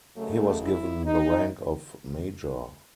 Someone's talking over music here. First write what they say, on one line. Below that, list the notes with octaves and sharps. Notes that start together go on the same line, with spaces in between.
He was given the rank of major.
F#2 C#3 G#3 A3
E4
D#4